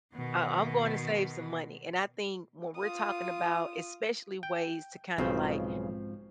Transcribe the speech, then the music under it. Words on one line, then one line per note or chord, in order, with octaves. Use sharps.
Uh, I'm gonna save some money and I think when we're talking about especially ways to kinda like,
B2 D#3
F4 D#6
G5
B1 G#2 C#3 F3 C4 C5